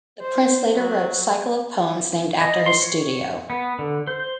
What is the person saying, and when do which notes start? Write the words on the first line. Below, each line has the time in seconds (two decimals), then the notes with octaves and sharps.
The prince later wrote cycle of poems named after his studio.
0.22 C5
0.75 F#3
2.41 D#5
2.66 C6
2.82 C#5
3.50 B3
3.79 D3
4.07 C5